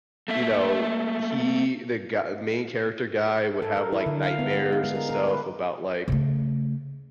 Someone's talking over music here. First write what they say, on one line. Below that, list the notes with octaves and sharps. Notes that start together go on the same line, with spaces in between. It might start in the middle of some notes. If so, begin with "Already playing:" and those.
you know, he the gu main character guy would have, like, nightmares and stuff about, like,
A3 A#3 E5
A4
A#4
E4
D3
F5
B3
G#3
F5
G#3
A#4
A#4
B4
C#3 A3